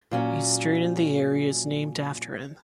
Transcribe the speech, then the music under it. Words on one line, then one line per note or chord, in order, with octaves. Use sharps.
A street in the area is named after him.
A#2 F#3 C#4